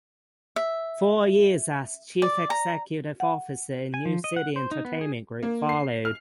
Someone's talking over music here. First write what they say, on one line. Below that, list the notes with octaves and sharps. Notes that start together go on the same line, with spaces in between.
Four years as chief executive officer of New City Entertainment group followed.
E5
D5
A#5
F#5
G#5
F3
D#5
F#5
C5
D#4
B3
G#4
A#3
C7
F6